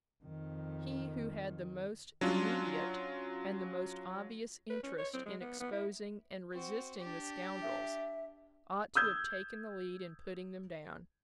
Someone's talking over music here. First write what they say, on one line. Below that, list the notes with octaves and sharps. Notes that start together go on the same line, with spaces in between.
He who had the most immediate and the most obvious interest in exposing and resisting the scoundrels, ought to have taken the lead in putting them down.
F2 D#3
F#3 C#4 D4 F4
B4
C#4
C#5
C4
G#3
B3
B3
E4
C4 F#4
D4 G4
E5
D#6 E6 G6 G#6